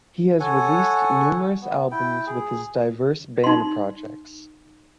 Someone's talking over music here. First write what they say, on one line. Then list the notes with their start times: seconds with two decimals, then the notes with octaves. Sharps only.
He has released numerous albums with his diverse band projects.
0.40 A4 C#5 F#5 G#5
1.61 B3
1.91 E4 G5
2.27 G#4
3.44 D#4 C6